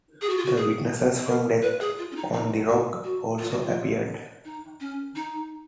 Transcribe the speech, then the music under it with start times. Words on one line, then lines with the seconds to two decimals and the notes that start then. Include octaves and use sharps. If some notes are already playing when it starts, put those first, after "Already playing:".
The witnesses from "Death on the Rock" also appeared.
0.22 G#4
0.29 F#4
0.37 F4
0.45 F#4
0.57 G#4
1.27 A#4
1.62 B4
1.81 G#4
1.98 F4
2.11 C#4
2.16 D#4
2.33 D#4
2.68 F#4
3.04 F#4
3.39 F4
3.50 F#4
3.62 F4
4.45 D#4
4.80 C#4
5.15 D#4